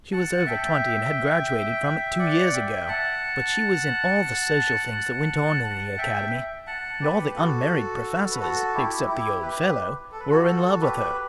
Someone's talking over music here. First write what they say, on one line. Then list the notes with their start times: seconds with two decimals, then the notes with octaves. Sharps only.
She was over twenty and had graduated from it two years ago, but she was in all the social things that went on in the Academy; and all the unmarried professors, except the Old Fellow, were in love with her.
0.12 F#5 A5
0.37 F#5
0.46 E5 G5
2.19 D5 F#5
2.53 E5 G5
2.88 F#5 A5
5.63 F#5 A5
5.97 E5 G5
6.67 F#5 A5
7.01 G4 B4
7.36 F#4 A4
8.30 B4
8.39 F#4 A4
8.74 E4 G4
9.08 E4 G4
9.42 G4 B4
10.12 A4
10.20 B4
10.30 F#4 A4
10.46 F#4 A4
10.81 G4 B4